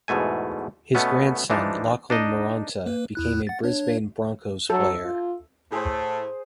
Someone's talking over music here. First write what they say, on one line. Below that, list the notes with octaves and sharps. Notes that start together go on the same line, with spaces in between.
His grandson Lachlan Maranta, became a Brisbane Broncos player.
E2 G#2 B2 A3 G#5
B2 A3 B3 C#4
E3 F3 D4 D#4
D4 D#4 D#5
A#3 B4
E2 E4 F#6
F#5 A6
D4 C#5
F#3 A4
F4
A2 A3 G#4 C5